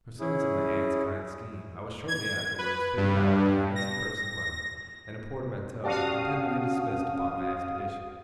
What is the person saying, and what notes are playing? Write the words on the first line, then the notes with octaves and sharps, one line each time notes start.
In pursuance of my aunt's kind scheme, I was shortly afterwards fitted out with a handsome purse of money, and a portmanteau, and tenderly dismissed upon my expedition.
C#4 E4 G#4
G#6
B4
G2
A#6
C#4 F#4 G4 D5 F5 A5 D#6